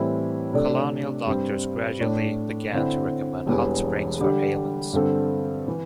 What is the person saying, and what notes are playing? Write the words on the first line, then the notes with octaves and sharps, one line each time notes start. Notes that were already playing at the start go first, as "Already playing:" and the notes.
Colonial doctors gradually began to recommend hot springs for ailments.
Already playing: A2 E3 G3 C4 E4
C3 A3 D4 A4 D5
G2 G3 C4
A2 A3 D4
D3 C4 E4
E1 E2 E3 G3
D3 G3 D4 G4 D5
G2 D3 C4 A4
E3